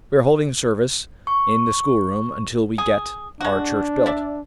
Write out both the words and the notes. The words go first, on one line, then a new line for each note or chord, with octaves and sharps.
We are holding service in the schoolroom until we get our church built.
C#6
G#4
G#3 D4 F#4
D5 E5